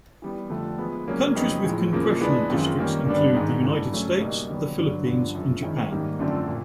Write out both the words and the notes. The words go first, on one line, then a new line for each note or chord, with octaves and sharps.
Countries with congressional districts include the United States, the Philippines, and Japan.
E3 G3 B3
F2 D3 F3 A3 D4
F3 G#3 B3
C#3 F#3 A#3 C#4
F2 C#3 F#3 B3 D#4
A2 F3 G#3
E2 C#3 F3 A#3
E3 G#3 B3 D4
F#2 D#3 G#3 C4 F4
D#3 G3 A#3 C#4
G2 D3 G3 B3 D4
G#2 D#3 G#3
G2 E3 A3
C#3 F#3 A3 C#4
B2 G3 A#3 D#4
F2 D3 F#3 B3
G2 D3 F#3
G2 D3 F3
F#2 C#3 F3
D#3 G#3 C#4 E4
G#2 D#3 G3 A#3
F#2 D3 F3 A3 C4
A#2